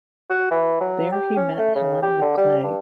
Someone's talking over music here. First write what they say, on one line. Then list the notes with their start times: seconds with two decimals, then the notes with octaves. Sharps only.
There he met Helen McClay.
0.30 F#4
0.51 E3
0.81 F#3
1.12 G4
1.37 C#4
1.58 A3
1.75 C#3
2.03 G4
2.22 D3
2.37 G3
2.63 G2